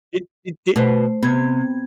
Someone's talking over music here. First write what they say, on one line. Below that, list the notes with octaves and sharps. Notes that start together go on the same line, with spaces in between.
Did did di
B2 A3 B3 C5
C3 B3 G#6